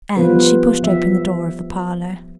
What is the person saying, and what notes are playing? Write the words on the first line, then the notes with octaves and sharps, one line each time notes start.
And she pushed open the door of the parlour.
F3 G3 B3 F4 B4 C5
F3 E5